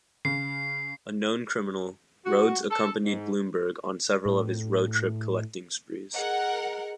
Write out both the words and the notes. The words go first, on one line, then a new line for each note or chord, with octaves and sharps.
A known criminal, Rhodes accompanied Blumberg on several of his "road trip" collecting sprees.
C#3 C7
F#4
A4
G#2
A2
G#4 A#4 D#5 F#5